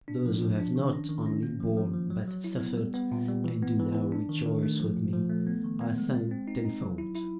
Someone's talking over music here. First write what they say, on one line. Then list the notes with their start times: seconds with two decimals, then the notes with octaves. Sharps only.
Those who have not only borne but suffered, and do now rejoice with me, I thank tenfold.
0.08 D4
0.26 F3
0.42 F3
0.59 D4
0.76 D#3
0.93 C#4
1.09 D#3
1.26 C#4
1.43 A#3
1.61 F3
1.77 F3
1.94 F3
2.10 F#3
2.27 F#3
2.44 E4
2.60 B3
2.77 G3
2.94 B3
3.12 A#2
3.28 G3
3.44 E3
3.62 B3
3.79 E3
3.95 E3
4.12 D4
4.29 D#3
4.46 D#3
4.63 A3
4.80 F3
4.97 A#2
5.13 F3
5.29 A3
5.47 B3
5.64 D#3
5.81 B3
5.98 G#3
6.15 C4
6.31 C4
6.48 D#4
6.65 D#4
6.81 F#3
6.98 E4
7.15 E4